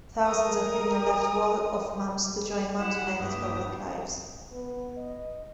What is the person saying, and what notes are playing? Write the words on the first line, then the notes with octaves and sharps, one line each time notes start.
Thousands of women left Wall of Moms to join Moms United for Black Lives.
A#4 D#6
E4 F#5 E7
G2 A#3 D4 G4 D#6
B3
D#5